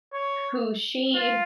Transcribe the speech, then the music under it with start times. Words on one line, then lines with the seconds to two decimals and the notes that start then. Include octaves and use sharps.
who she
0.13 C#5
1.15 F4